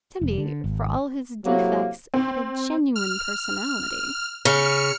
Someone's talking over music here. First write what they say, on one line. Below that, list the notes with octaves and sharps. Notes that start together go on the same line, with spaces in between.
Tibby, for all his defects, had a genuine personality.
F1
D3
G#1
A2 C3 F#3 A#3
C4
F6
C#3 F6 C#7